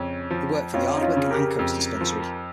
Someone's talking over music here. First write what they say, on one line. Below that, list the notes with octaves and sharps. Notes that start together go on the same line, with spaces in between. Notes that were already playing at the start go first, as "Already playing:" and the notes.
He worked for the Ardwick and Ancoats Dispensary.
Already playing: F2 C#3 C#4
F3
F2 C#4 F4
D#4
C#4 F4
C#3
G4 A#4
F2
F3